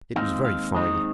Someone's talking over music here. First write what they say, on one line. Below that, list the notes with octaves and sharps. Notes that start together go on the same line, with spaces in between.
It was very fine!
D#2 D#3 G#3 C4 D#4 F5
F5
D#2 D#3 G#3 C4 D#4 D#5